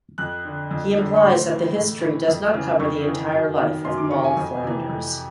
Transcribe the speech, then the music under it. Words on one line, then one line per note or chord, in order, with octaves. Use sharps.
He implies that the history does not cover the entire life of Moll Flanders.
F2 F#6
D3
F2
D3
C#6
A2 C6
E3
A2
E3
F2
C#3 E3
F2 C#6
C#3 E3
F#2
D#3
F#2 C6
D6
D#3 C#6
G#5
F2
C3 E3
F2